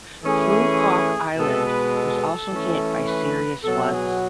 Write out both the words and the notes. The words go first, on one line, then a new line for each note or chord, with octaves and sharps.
Phu Quoc island was also hit by serious floods.
E3 A3 C#4 G#4
B2 G#3 B3 A4
B4
A4
E3 A3 C#4
B4
B2 F#3 B3 A4
G#4